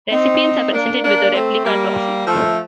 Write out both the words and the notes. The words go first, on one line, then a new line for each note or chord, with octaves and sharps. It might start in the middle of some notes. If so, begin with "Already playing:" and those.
Recipients are presented with a replica trophy.
C4 D#4
A#3 D4
A#3 D4
A3 C4
G3 A#3
F3 A3